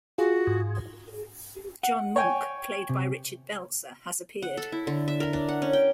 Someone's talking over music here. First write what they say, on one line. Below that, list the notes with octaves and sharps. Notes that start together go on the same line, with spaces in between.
John Munch, played by Richard Belzer, has appeared.
F4 F#4 G#4
G#2
F#5
C#5 G5 G#5
C3
F#5
A4
E4
D3
E5
A#4
D4
F#5
C#4
G5